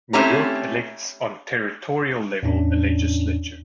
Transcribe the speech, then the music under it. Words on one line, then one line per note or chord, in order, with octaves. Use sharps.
Mayotte elects on territorial level a legislature.
A3 C4 C#4 E4 G4 A#5
E2 A2 C#4 D4